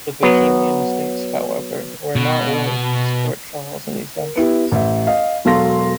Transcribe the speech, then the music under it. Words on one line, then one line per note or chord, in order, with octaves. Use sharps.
The Bohemian estates, however, were not willing to support Charles in these ventures.
F#3 B3
B2
A#4
B3 E4 G4
A1 E5
D#5 F5
E1 F#3 A4 F5 C6 A#6